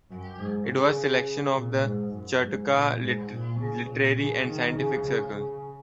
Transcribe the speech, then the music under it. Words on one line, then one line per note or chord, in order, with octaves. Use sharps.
It was a selection of the Chautauqua Literary and Scientific Circle.
F#2
G#2
C#3
A#2
G#2
F#2
G#2
A#2
G#2
A#2
C#3
A#2
C#3
D#3
C#3
C#3
C#3